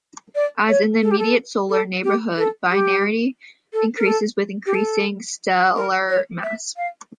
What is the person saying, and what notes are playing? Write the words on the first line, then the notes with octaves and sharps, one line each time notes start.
As in the immediate Solar neighborhood, binarity increases with increasing stellar mass.
D5
C#5
A4
G4
A4
A4
G4
A4
G4
A4
A#4
A4
G4
A4
A#4
C#5
E5
F5